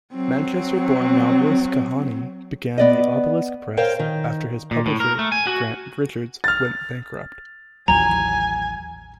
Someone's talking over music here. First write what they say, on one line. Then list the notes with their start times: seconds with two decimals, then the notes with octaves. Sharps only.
Manchester-born novelist Kahane began the Obelisk Press after his publisher, Grant Richards, went bankrupt.
0.14 F#3 C4
2.78 B3 D5 D#5
3.77 A#4 C5 C#5 F5 G5
3.99 D#3
4.71 A#2
4.86 A2
5.00 A#4
5.19 A3
5.32 G#5
5.47 F#4
6.44 F6 A6
7.88 A1 D#2 F#3 G#5 A#5